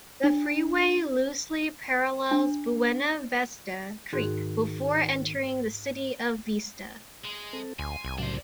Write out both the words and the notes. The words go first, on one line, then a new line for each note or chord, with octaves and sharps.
The freeway loosely parallels Buena Vista Creek before entering the city of Vista.
D4
D4
G#2 D#3 F#4 G#4
G#3
C4 A4
D2 G#5 C6
C2
A2 C#3 F#3 D4 C5